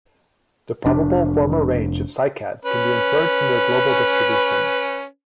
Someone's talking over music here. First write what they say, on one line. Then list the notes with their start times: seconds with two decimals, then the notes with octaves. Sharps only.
The probable former range of cycads can be inferred from their global distribution.
0.86 F1 D4
2.65 C#4 B4